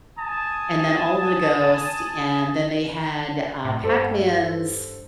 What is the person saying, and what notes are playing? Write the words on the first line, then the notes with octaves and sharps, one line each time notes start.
and then all of the ghosts, and then they had, uh, Pac-Man's
G#5 A5 D#6
A2
G2 A4 C5